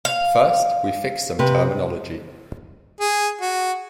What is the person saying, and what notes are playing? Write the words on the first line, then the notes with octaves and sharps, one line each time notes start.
First, we fix some terminology.
F5
C3 G4 B4
G#4
F#4